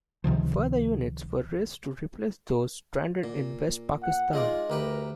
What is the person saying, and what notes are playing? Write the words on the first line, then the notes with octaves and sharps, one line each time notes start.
Further units were raised to replace those stranded in West Pakistan.
C#2 C3 D#3 F3
A#2
F#5
G#3 D#4 F4 D5
D2 G4 A#4 B4